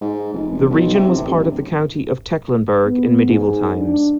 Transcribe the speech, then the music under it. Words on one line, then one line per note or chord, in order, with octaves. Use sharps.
The region was part of the county of Tecklenburg in medieval times.
G#2
F1
E1
B1
C3
A1
D1
B3
G#2
D4